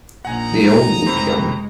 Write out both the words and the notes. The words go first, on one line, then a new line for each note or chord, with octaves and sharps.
They all look young.
A#1 D#4 F#5 G#5 A#5
F1 A2 G#3 C4 B5